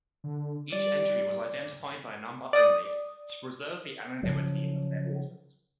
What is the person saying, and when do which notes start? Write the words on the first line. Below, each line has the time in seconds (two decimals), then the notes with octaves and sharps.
Each entry was identified by number only, to preserve the anonymity of their authors.
0.24 D3
0.73 G3 D5
2.53 D5 D#6
4.23 C#3 F3 F#3